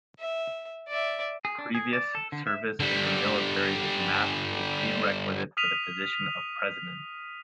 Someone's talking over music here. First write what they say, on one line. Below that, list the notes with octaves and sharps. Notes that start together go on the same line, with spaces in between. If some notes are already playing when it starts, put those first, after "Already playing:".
Previous service in the military is not a prerequisite for the position of president.
E5
D5 E5
G#4
D4
G#4
D5
A4
D3
E5
D3 G3
D#6 F6 B6 D#7 F7